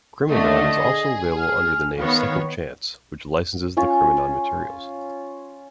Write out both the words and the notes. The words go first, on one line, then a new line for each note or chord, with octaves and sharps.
Criminon is also available under the name Second Chance, which licenses the Criminon materials.
D3 A3 D#5
G#4
F6
D#3 B3 C#5 F5
C#4 F4 C#5